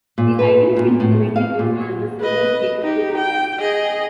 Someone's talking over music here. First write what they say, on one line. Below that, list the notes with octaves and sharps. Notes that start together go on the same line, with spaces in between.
The items can be connected in a manner similar to dataflow programming.
A#2
B4
A#2
A2
F5
A#2
B4 D#5
D#4 G4
G5
G#4 D#5